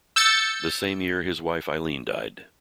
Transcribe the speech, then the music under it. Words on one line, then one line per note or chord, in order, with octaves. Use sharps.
The same year his wife Eileen died.
E6 G6 A6 C#7